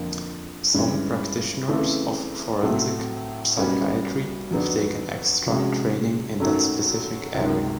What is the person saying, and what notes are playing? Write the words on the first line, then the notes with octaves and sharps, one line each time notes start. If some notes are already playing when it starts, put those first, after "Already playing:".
Some practitioners of forensic psychiatry have taken extra training in that specific area.
Already playing: F2 D3 F3 A#3
G2 E3 G#3 C#4
C#3 E3 A3 C4
A2 F#3 A3 C4
B1 B2 G3 A#3 C#4
F2 D3 F#3 B3 D4
C3 F3 G#3 C#4 F#4
F#2 D#3 F#3 A3 C#4
C#2 C3 D#3